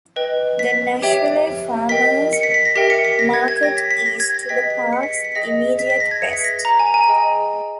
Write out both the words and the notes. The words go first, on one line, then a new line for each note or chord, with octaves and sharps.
The Nashville Farmers' Market is to the park's immediate west.
B4 D#5 G5
B6
G4 C#5 E5 G5
A#4 D#5 G5 B6
C#7
B6
B6
A#6
G4 A#4 E5 G5 B6
C#7
B6
A#6
G#6
G#6
G4 C#5 G5 A#6
B6
B6
A#6
G#6
A#6
G#4 B4 D#5 G5 B6
B6
C#7
B6
C#7
B6
G#4 D#5 G5 A#6
B6
B6
A#6
G#6
G#4 B4 E5 C#7
B6
A#6
A#5
G#5
G#5
G#4 D#5 G5